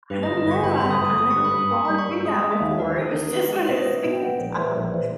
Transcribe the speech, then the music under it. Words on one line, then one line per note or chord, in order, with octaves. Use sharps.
"I don't know, I I never saw her do that before, it was just when it was feeding time."
G2 B4
D#5
G1
D#5
G1 C#6
G1 B5
B5
G1
D#6
G1
D#6
G1 D#6
C#6
G1
B5
G2 D#6
A#3 C#6
B5
G3
C#6
G2 E6
G#3 D#6
G#3
E5
D#2
D#2 A#4
G4
D#3
G#4
D#3
A#4
B3 B4
A#4
G#3
C#5
B2 D#5
B3 E5
B2
G5
B3
A#1
E3
A#1
E3